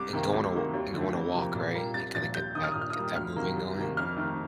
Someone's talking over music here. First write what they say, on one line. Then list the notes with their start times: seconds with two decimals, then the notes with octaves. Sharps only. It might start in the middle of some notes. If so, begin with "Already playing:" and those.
And going to w and going to walk, right? And kinda get that get that moving going?
Already playing: C2 D6
0.13 C3 D#3 A#3
0.33 D2
0.53 C3 D#3 A#3
0.74 D#2
0.94 D3 F3 A3
1.15 F2
1.35 C3 F3 A#3
1.55 A#2
1.75 G3 A#3
1.94 C2 A6
2.15 A#2 F3 A6
2.35 D#2 G6
2.55 D#3 A#3 D#6
2.64 F6
2.72 D#6
2.76 A#2
2.81 F6
2.90 D#6
2.96 G3 A#3
3.16 D2 F6
3.36 C3 D#3 A#3
3.56 C2
3.76 C3 D#3 A#3
3.97 F2 F6
4.17 D#3 A3